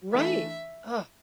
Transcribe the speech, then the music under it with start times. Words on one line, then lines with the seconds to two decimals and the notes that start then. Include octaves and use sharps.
Right. Ugh.
0.14 E3 A3 D4 E5